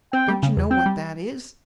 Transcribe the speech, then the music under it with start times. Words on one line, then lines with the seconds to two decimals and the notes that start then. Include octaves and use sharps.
Don't you know what that is?
0.13 C4 G5
0.28 G3
0.43 C#3
0.57 E2
0.71 C4 G5
0.86 G3